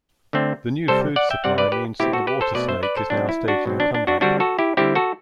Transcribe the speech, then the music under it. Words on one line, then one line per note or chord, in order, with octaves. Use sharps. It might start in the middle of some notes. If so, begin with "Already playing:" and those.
The new food supply means that the water snake is now staging a comeback.
D3 A3 C4
C3 G3 C4 A4 C5
D5 F#5
E5 G5
C3 G3 C4 D5 F#5
B4 D5
G4 B4
B2 A3 C4 E4 G4
F#4 A4
G4 B4
A4 C5
B2 A3 C4 B4 D5
C5 E5
B4 D5
A4 C5
B2 F#3 C4 D4
E4
D4 F#4
B2 F#3 C4
D4
D4
D4 F#4
D3 G3 C4 D4 F#4
F#4 A4
E4 G4
D3 G3 C4 E4 G4
F#4 A4